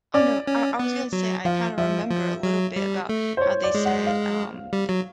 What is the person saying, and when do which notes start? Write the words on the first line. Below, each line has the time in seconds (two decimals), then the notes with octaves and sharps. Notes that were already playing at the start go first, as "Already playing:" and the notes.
Oh, no, I I was gonna say I kinda remember a little bit about how they said, um, th
0.14 C#4 D5
0.47 C#4
0.79 B3
1.12 F#3
1.45 F3 F5
1.78 F3 E5
2.11 F3
2.43 F#3
2.76 G3
3.09 A3
3.37 C5
3.41 C#5
3.64 D5
3.75 G#3
3.85 F#5
4.07 F5
4.73 G3
4.89 F#3